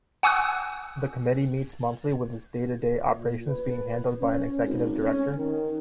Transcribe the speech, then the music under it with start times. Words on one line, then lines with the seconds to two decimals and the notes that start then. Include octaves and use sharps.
The committee meets monthly with its day-to-day operations being handled by an executive director.
0.23 F#5 G#5 C#6 D#6 E6 F#6
3.07 A#2
3.48 B4
4.20 C#4
4.64 G#1
5.03 C#4
5.36 D#3